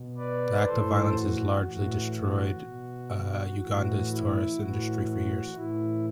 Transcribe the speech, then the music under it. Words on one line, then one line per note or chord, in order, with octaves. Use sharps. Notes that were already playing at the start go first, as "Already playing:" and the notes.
The act of violence largely destroyed Uganda's tourist industry for years.
Already playing: B2
B4 D5
A2 E3 A4 C5
F#4
A2 E3 F#4
F#4
B2
A2 E3 F#4
E4
A2 E3 F#4
F#4
A2 E3 E4